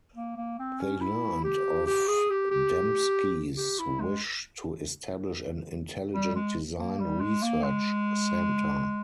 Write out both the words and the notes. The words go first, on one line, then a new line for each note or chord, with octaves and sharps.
They learned of Dembski's wish to establish an intelligent design research center.
A#3
A#3
C4
C#4
E4
G4
G4
G#4
G4
G4
G4
E4
G#3
G3
G#3
A#3
G3
G#3
A#3
G#3